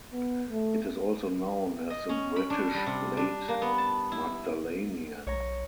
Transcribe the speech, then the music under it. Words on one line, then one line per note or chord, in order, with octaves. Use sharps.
It is also known as the British Late Magdalenian.
B3
A3
D#5
C#4
B5
D4
G3
C3
D4
A#3
B3
A5
E4
B1 C#5 A#5